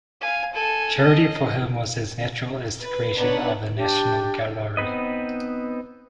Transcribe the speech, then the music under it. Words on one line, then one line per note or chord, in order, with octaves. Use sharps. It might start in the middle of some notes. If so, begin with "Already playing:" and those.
Charity for him was as natural as the creation of a national gallery.
F5 G#5
A4 G#5
D#5
B4
B3 D4 D#4 B4 C#5 F#5
D4 G4
B3 C4 D#4 B4 D#5